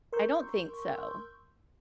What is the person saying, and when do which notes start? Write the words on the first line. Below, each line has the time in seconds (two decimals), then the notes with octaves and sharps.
I don't think so.
0.13 A#4 C6 C#6 E6 G6